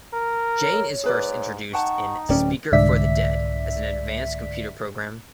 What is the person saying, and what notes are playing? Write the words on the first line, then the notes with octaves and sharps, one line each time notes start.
Jane is first introduced in "Speaker for the Dead" as an advanced computer program.
A#4
C#5
G#2 G#4 B4 D5
D#4 F#5 G5 A5 C#6
D1 C#4 D5 G5
C2 G#2 D3 D5 E5 B6